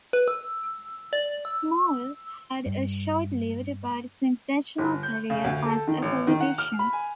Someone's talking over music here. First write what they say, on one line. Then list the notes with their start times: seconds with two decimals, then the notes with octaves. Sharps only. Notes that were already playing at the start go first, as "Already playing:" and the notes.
Moule had a short-lived but sensational career as a politician.
0.13 B4
0.28 E6
1.13 D5
1.45 E6
2.66 G2
4.78 G1
5.03 G6
5.30 C#3
5.44 D2
5.65 A4
5.88 D#3
6.02 A1
6.27 D#3
6.40 F#5
6.58 F6
6.79 B5
6.93 G#5